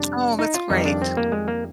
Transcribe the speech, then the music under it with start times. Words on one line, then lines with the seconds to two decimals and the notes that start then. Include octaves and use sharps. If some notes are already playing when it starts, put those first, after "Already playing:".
Oh, that's great.
Already playing: F2 C3 G3 D4
0.39 D#4
0.54 F4
0.70 F2 D#3 G3 D#4
0.85 D4
1.02 C4
1.17 A#3
1.32 G#3
1.48 A#3